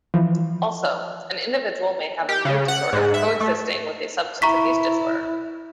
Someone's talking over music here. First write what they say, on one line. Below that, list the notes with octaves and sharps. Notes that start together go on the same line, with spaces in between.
Also, an individual may have a mood disorder coexisting with a substance abuse disorder.
E3 F3
G4
C#3
F#5
G#2
E5
A3
E4 A#5 C#6 B6